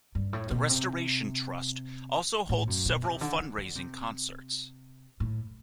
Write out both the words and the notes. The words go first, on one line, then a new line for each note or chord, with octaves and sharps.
The Restoration Trust also holds several fundraising concerts.
G2
A2
B2
C3
A2
F#2
B2
C3
D3
E3
D3
C3
A2